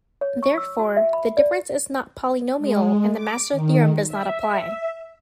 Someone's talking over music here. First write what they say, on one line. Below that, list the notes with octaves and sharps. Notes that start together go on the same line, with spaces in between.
Therefore, the difference is not polynomial and the Master Theorem does not apply.
C#5
C#6
E6
F#4
E5
B5
D5
G#3
D6
D#3
E5